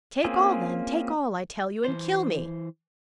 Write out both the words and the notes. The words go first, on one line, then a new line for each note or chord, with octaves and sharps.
"Take all, then--take all, I tell you, and kill me!"
A#3 C4 C#4 F4 G#4
E3 C5